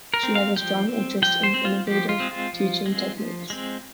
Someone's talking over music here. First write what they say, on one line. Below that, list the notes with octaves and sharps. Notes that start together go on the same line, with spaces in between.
She has a strong interest in innovative teaching techniques.
A#4
C4
F5
F3 G5
C4
F3 G5
C5
C4
F4
F3 G4
F4
G#3 C4
F4
F3
G#3 C4
F3
G#3 C4